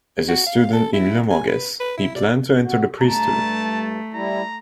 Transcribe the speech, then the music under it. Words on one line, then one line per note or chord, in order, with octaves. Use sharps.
As a student in Limoges, he planned to enter the priesthood.
F#4
F5
A4
E4
G#5
B4
B4
E4
D5
F#4
G2 A3 A5 A#5
G3 E4 A#5